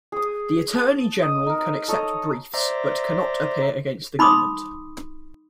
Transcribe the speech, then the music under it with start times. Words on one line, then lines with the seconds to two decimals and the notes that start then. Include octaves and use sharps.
The Attorney General can accept briefs but cannot appear against the Government.
0.12 G#4 D#6
0.74 A5
1.22 D#5
1.46 D#4 A#4
1.88 A4 C#5 D#5 A#5
2.54 C5 D5 E5 A#5
4.19 D#4 B5 C6 D6 D#6